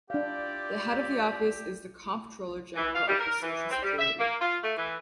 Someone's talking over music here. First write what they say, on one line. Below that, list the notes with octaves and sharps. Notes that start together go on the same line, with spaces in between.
The head of the Office is the Comptroller General of the Social Security.
D4 E4 F4 G4 D5 F5
E3
F5
G3
A#4
E3
C4
G3
E5
A#3
F4
A3
E3